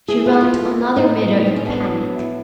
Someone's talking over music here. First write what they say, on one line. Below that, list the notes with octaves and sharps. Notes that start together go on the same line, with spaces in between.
She ran to another mirror in panic.
E3 G#4
A3 F4
F#4
E3 F4
A3
E3
A2 D#4
B3
A2
A2 C4
C#4
B3 D4
F#3
B3
A2